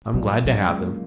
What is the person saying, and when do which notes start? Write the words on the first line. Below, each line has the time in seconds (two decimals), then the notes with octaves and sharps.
I'm glad to have them.
0.14 A#2 F#3
0.45 C#3 F#3
0.68 G#3
0.78 A#3